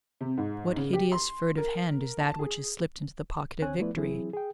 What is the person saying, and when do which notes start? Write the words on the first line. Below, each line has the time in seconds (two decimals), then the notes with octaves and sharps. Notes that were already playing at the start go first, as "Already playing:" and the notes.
What hideous, furtive hand is that which is slipped into the pocket of victory?
0.21 C3
0.37 G#2
0.76 C#3
0.93 G4
1.12 C6
1.57 A#4
2.20 A5
2.39 G#4
3.62 D2 D3 C4 C#5 G#5 F#6
3.79 F3 A3 B3 E4 B4 D5
3.95 E3 F#3 C4 E4 G#4
4.33 G#4 G5